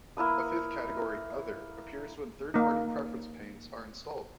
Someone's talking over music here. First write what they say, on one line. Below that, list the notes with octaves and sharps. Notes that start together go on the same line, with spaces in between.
A fifth category, "Other", appears when third-party preference panes are installed.
A#3 E4 B4 D#6
A#3 D#4